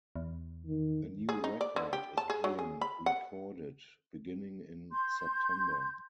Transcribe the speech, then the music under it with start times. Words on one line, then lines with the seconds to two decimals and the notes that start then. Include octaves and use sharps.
A new record is being recorded beginning in September.
0.16 E2
0.65 D#3
1.29 G#4
1.44 D#4
1.61 D5
1.76 D3
1.93 G4
2.17 A5
2.30 G#4
2.44 F#3
2.59 G#4
2.81 B5
3.06 F#5
4.92 C6 G6